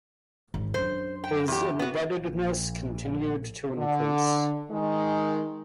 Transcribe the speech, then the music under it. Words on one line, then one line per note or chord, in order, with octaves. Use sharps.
His indebtedness continued to increase.
G#1
F#2 D4 C5
G5
E2 G4
B3 F#4
A#1
D3
D#3 G#3